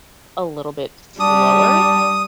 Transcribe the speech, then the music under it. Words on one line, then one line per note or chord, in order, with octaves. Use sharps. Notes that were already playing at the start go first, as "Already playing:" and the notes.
a little bit slower.
G3 D4 D#6